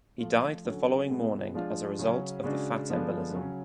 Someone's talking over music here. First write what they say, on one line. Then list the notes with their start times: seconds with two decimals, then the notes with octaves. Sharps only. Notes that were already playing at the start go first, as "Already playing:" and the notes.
He died the following morning as a result of the fat embolism.
0.19 F3 A3 F4
0.65 D3 F#3 C#4
1.09 B2 G#3 B3
1.54 F3 G#3 D4 F4
1.99 C#3 F#3 C#4
2.44 C#3 G#3 D4 F#4
2.89 D3 F3 G#3 B3 D4
3.34 C#3 F#3 C#4